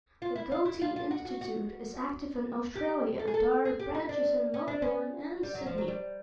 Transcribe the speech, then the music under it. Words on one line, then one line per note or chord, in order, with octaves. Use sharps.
The Goethe-Institut is active in Australia, there are branches in Melbourne and Sydney.
F4
E4
F4
E4
F4
F4
F#4
F#4
F#4
G4
A4
G#4
A4
G#4
G4
D#4
D4
C#4
D4
C#4
G3
F#3
F3
F#3
G3